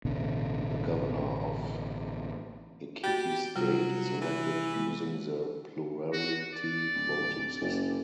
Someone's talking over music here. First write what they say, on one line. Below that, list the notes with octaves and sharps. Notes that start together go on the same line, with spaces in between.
The Governor of Ekiti State is elected using the plurality voting system.
A1 B2 D3
F#4 G4 A6
C3 F#3 G3 F4
E3
G#3
F#4
D5
D1
F#1